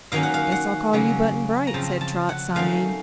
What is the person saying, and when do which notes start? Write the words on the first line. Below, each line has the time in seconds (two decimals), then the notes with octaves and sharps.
"Guess I'll call you Button-Bright," said Trot, sighing.
0.12 D#3 F#3 A#3 C#4 F5
0.23 F#5
0.34 F5
0.52 F#5
0.93 C#3 F#3 A#3 C#4
1.67 A#5
1.74 C#3 F3 C4 A5
2.01 A5
2.29 F#5
2.55 D#3 F#3 A3 C#4 F5